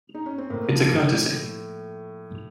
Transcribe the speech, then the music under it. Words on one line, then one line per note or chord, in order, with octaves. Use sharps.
It's a courtesy.
D#4
C#4
C4
A2 A#3
F3
A2